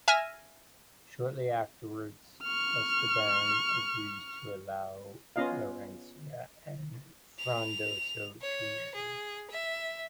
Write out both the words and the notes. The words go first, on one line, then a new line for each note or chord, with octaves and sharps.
Shortly afterwards, Esteban agrees to allow Laurencia and Frondoso to marry.
E5 G#5 F6 A#6 D#7
C#6 F6
B3 C#4 F4 D#5 F5
F7
C#5
G#4
E5